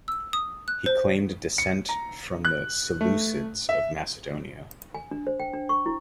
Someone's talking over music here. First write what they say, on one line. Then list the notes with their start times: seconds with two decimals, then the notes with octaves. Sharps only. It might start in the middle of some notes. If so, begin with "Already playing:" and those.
He claimed descent from the Seleucids of Macedonia.
0.08 E6
0.33 D#6
0.68 F#6
0.86 C5
1.58 C#7
1.89 A#5
2.45 F#6
3.01 A3
3.69 E5
4.95 G#5
5.11 D4
5.27 C5
5.40 G5
5.53 D4
5.69 C#6
5.86 E4